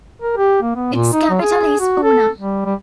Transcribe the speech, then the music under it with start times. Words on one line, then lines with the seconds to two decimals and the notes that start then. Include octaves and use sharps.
Its capital is Puna.
0.22 A#4
0.37 G4
0.62 A#3
0.76 B3
0.93 A#2
1.13 D#4
1.30 F#3
1.42 G#4
1.80 F#4
2.03 A4
2.38 G3
2.65 G3